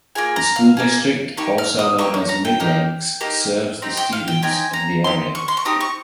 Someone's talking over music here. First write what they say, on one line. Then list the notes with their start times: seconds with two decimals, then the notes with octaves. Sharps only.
The school district, also known as Midlakes, serves the students of the area.
0.15 A#3 F4 G#4 G#5
0.36 A#5
0.56 F5
0.77 A#3 F4 G#4
1.37 A#3 D#4 G4 C#6
1.58 F6
1.79 D#6
1.98 A#3 D#4 G4 C#6
2.14 C#6
2.29 A#5
2.45 G5
2.60 A#3 D#4 G4
3.21 A#3 D#4 G4
3.82 C4 D#4 G4
3.97 G5
4.13 F5
4.28 G5
4.42 C4 D#4 G4 G#5
4.73 A#5
5.04 C4 D#4 G4 C6
5.35 C#6
5.48 C6
5.57 C#6
5.65 C4 D#4 G4 D#6
5.81 C#6